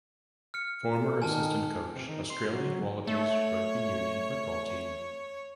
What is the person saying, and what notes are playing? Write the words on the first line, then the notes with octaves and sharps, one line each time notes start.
Former assistant coach Australian Wallabies Rugby Union Football team.
F6 C#7
A4
D#3 G#5 A5 F6
C3
D#3
C6
F#3
A3 C#5